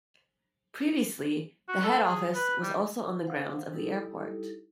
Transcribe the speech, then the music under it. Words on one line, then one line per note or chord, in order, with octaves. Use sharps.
Previously the head office was also on the grounds of the airport.
F#4
A4
G#4
B4
G3
C5 F5 F#5
G3 D#4 E4 G4 A4